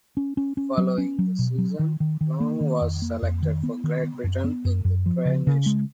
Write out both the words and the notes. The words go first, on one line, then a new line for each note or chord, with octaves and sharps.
Following the season, Long was selected for Great Britain in the Tri nations.
C#4
C#4
C#4
F#3
C#4
F#3
B2
F#3
D#3
D#3
D#3
A#3
D#3
F2
A#3
F2
D#3
B3
D#3
B3
F#2
B3
F#2
F#2
F3
C#3
C#3
G#3